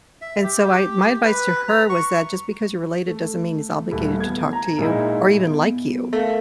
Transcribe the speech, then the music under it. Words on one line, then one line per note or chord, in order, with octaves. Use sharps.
and, so my my advice to her was that just because you're related doesn't mean he's obligated to talk to you or even like you.
E5
G4
B4
A#5
C#6
A3
D#1 A3 E4
B3 G#6
A#5
A#2 G#3 D#4 E4
B3
A3 A4 A#4 F5